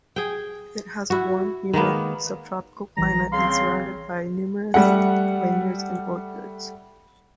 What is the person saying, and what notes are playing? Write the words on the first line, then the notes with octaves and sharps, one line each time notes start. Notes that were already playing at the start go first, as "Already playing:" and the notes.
It has a warm humid subtropical climate and surrounded by numerous vineyards and orchards.
G#4 G5
E4 F#4
D#3 G#3 A#3 B3
A#1 E3 G3 A#5
C#3 C4 F5 C6
G3 A3 F#5